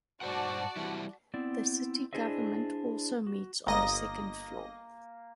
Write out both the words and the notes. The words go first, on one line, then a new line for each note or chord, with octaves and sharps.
The city government also meets on the second floor.
G2 F#4 C5 D5 F#5 A5
E3 G3 E4
B3 C4 E4 D5
D4 E4 G#4 C5 D#5 E5
F#4
G1 A#3 D#5 A#6